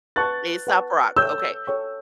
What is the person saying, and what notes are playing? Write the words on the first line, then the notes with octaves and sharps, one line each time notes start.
Aesop Rock, okay.
B4 F#5 A5 C#6 F#6 A6
B4 F#5 A5 C#6
A4 C#5 G5 C#6 E6 G6
A4 C#5 G5 C#6